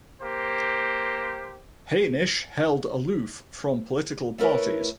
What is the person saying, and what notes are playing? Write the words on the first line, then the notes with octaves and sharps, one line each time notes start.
Hainisch held aloof from political parties.
A#3 G4 C5
A3 E4 A#4 B4 C#5